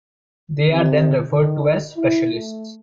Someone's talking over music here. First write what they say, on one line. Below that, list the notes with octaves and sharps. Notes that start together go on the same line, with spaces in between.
They are then referred to as "Specialists".
C3
D#3
E4
A3